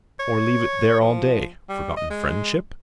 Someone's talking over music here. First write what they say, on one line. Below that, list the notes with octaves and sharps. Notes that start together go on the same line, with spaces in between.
Or leave it there all day, forgotten friendship?
C#5
F3
G3
D#5
G#3